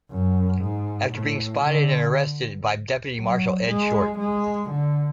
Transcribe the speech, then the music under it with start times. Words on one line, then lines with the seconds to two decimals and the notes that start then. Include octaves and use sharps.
After being spotted and arrested by Deputy Marshal Ed Short.
0.11 F#2
0.61 G#2
1.12 A2
1.63 D3
3.16 F#3
3.68 G#3
4.18 G#3
4.70 D3